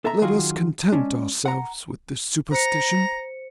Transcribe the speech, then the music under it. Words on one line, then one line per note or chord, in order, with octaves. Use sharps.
Let us content ourselves with this supposition.
A4 E5 A#5
D#3 F#3 F4 F#4 G#4
G#3 C#4 D4
F#5 A#5
C5 A#5 C#7